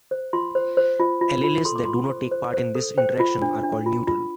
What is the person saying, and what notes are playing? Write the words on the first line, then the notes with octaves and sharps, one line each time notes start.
Alleles that do not take part in this interaction are called neutral.
C5
F4 C6
C5
C5
F4
F4
F4
A4 C6
D6
F4 C6
C5
C5
C5
A4
C5 G5
F4
D4
D4
F4
F4